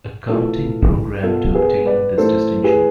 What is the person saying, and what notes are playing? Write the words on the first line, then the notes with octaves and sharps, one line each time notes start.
Accounting programme to obtain this distinction.
A2 E3 F4 A4
B2 F4 A4
G#4 B4
B4 D5
A2 E3 A4 C5
G#4 B4